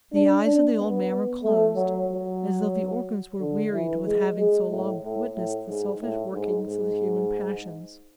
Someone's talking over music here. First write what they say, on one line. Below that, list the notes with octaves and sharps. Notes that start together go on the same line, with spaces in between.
The eyes of the old man were closed, as though the organs were wearied with having so long witnessed the selfish workings of the human passions.
D4
D4
B3
A3
F#3
F#3
D3
E3
G#3
G#3
A2
A2
A2
G#2
A2
G#2
G#2